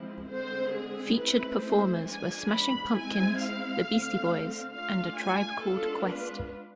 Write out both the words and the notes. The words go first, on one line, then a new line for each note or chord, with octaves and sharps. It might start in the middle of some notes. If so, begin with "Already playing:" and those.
Featured performers were Smashing Pumpkins, The Beastie Boys, and A Tribe Called Quest.
Already playing: F3 G#3 C4 E4
D3 G#3 C4 C5
G#4
A3 C4 E4 B4
C5
F3 G#3 B3 D4 G#5
B5
G#3 C4 E4 G#5
F5
D3 A3 C4
A3 D4 F4 F5
G#5
G#3 B3 D4 F4 A4
B4